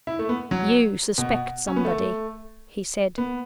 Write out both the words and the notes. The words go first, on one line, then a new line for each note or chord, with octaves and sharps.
"You suspect somebody," he said.
E4
A3
B3
F#3
B2
C#4
B3
A3
B3